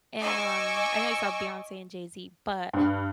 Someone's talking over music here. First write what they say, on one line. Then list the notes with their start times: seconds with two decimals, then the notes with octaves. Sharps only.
And, um, I know you saw Beyoncé and Jay-Z, but
0.20 D#5 G#5 C#6 D6 E6
2.73 G2